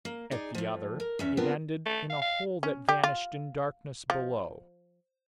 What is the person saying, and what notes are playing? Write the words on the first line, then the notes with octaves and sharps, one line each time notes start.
At the other it ended in a hole that vanished in darkness below.
A#3
D#4 G#4 D5
A2 F3
A#4
E2 C#4 E5
B3 C4 D4 F4 A#4
A3
F5
F5
C#4
G4
F4
F3